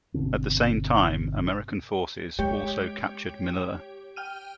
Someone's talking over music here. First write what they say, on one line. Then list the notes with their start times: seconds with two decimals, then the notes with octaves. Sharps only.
At the same time, American forces also captured Manila.
0.14 G1 B2 D3 C4
2.39 G#3 G4 C#5 G5
4.16 G5 F6 D#7